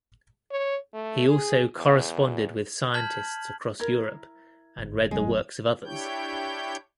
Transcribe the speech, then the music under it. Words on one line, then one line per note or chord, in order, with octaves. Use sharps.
He also corresponded with scientists across Europe and read the works of others.
C#5
A3
G#4
E2
A5 F6 G6 G#6 B6 F#7
E4 A#4 G#6
G1
C2 F#2 G#3
D4 E4 G4 C#5 G5 G6